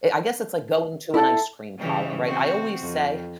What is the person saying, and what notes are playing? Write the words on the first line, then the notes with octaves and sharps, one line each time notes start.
eh, I guess it's like going to an ice cream parlor, right? I always say
E4 A4 D5 E5
C#3 E3 G3
C4 F#4
F2